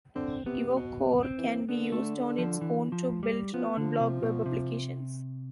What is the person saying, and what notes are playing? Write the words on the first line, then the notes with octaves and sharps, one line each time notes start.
EvoCore can be used on its own to build non-blog web applications.
D3 C4
C3 B3
C3
B2 B3
C4
E3
D3 B3
A3
F3
E3
F3
G3
F3 B3
D3 F3
C3
B2
C3